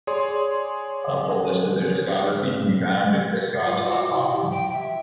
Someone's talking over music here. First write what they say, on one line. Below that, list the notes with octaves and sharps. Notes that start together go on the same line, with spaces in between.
A full list of their discography can be found at Discogs dot com.
G#4 C#5 D5 C6
F4
F#4
E4
G4
G5
E5